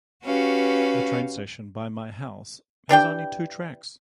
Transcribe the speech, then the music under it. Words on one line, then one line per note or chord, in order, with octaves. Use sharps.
The train station by my house has only two tracks.
C#4 F#4 G4 B4 F5
E3 D4 G4 G5